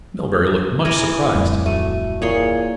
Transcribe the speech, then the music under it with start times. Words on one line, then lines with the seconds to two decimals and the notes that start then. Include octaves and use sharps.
Melbury looked much surprised.
0.85 E3 A#4 G#5 B5 D6 D#7
1.34 D1 F2 G3
1.66 A3 F#4 E5 D#7
2.22 A#2 E4 G#4 C#5 C6